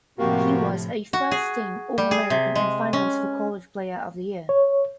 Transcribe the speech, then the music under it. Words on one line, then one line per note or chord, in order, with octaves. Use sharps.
He was a first-team All-American and finalist for "College Player of the Year".
A2 C3 F3 A#3 F#4 G4
F#4
G#4
G3
G#4
C3
G#3
C#4
C#5